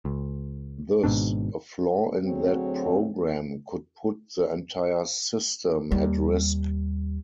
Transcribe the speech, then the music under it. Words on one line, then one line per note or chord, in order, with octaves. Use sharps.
Thus, a flaw in that program could put the entire system at risk.
C#2
G#1 G#2 B2 D4
D2 F#3 C4 F#4 G#4 C#5
D#2 G3